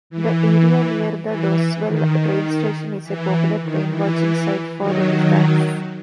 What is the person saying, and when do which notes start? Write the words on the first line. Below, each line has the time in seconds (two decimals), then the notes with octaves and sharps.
The area near the Doswell train station is a popular train-watching site for railfans.
0.10 E3
1.26 E3
1.85 D#3
3.03 E3
3.61 D#3
3.90 E3
4.77 D#3 F#3